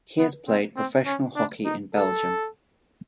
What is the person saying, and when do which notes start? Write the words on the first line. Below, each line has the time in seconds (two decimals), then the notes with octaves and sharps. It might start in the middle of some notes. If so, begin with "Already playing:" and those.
He has played professional hockey in Belgium.
0.18 B3
0.48 C4
0.77 C4
1.06 C#4
1.36 D4
1.65 D#4
1.95 A4